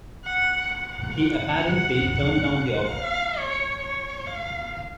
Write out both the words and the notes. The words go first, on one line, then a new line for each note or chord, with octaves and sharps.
He apparently turned down the offer.
F#5
F#5
F5
C#5
C#5
F5